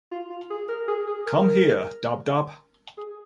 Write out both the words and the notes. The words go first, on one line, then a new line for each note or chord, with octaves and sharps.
Come here, Dab-Dab.
F4
F4
G#4
A#4
G#4
G#4
A#4
G#4